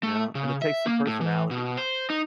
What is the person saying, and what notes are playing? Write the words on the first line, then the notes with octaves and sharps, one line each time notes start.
you know? And it takes some personality.
A3
C#3
E5
A#3
A2
E3
B2
C5
D#4